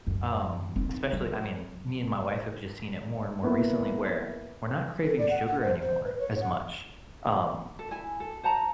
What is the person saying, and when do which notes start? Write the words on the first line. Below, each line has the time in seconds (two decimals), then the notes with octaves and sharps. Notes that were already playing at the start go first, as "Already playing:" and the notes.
um, especially I mean, me and my wife have just seen it more and more recently where we're not craving sugar anymore as much, um,
0.07 F#2
0.76 C4 D#4
1.13 F#3
3.43 A#3 B3 E4
5.06 A4
5.18 D5
5.30 F#5
5.47 F#5
5.62 C5
5.82 C5
6.05 B4
6.19 C#5
6.41 F#5
7.79 A4
7.91 E4 G#5
8.20 A4
8.43 C5 F#5 A5 A#5